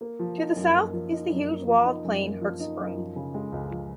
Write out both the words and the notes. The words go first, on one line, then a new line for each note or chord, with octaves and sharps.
To the south is the huge walled plain Hertzsprung.
A#3
F3
D#4
F#2
A#3
F3
D#4
F#2
A#3
F3
D#4
F#2
A#3
F3
D#4
F#2
F3
C#3
G#3
C#2
F3